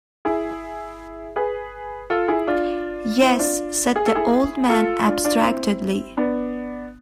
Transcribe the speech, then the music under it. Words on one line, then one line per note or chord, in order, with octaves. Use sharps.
"Yes," said the old man abstractedly.
E4 G#4
G#4 B4
F4 A4
E4 G#4
D4 F4
C4 E4
D4 F4
G#4
A4
E4 G#4
F4 A4
D4 F4
D4 F4
C4 E4
B3 D4